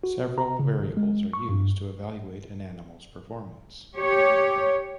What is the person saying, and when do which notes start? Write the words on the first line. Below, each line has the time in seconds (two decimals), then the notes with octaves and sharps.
Several variables are used to evaluate an animal's performance.
0.04 F#4
0.38 A#5
0.59 C#3
0.79 G#1
0.97 G#3
1.33 C#6
1.49 G2
3.96 G4 C#5